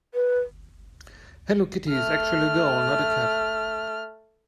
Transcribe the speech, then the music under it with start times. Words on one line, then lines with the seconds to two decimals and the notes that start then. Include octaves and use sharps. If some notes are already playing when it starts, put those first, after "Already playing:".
Hello Kitty is actually a girl, not a cat.
0.14 B4
1.90 A3 F6